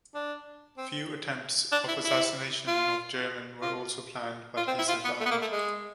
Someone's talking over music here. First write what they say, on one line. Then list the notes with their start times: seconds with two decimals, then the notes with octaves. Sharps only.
Few attempts of assassination of Jerman were also planned but he survived.
0.15 D4
0.78 C4
1.72 D4
1.88 E4
2.04 E4
2.67 F4
3.62 F4
4.57 F4
4.68 C4
4.78 E4
4.88 F4
5.04 B3
5.20 A3
5.26 B3
5.31 A#3
5.41 A3
5.52 G#3